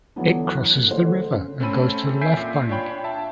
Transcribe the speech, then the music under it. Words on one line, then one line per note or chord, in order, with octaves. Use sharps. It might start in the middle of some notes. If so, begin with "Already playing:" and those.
It crosses the river and goes to the left bank.
D3 E3 F#3 B3 D4
F#3 F#6
A#3
D3 A3 C5
C#3
A3 C4 C#4 A4 B5 D#7
E5 G#5 G6 B6 C7 D7
A#2
D4 F4 C#5 G5 B5
E5 A5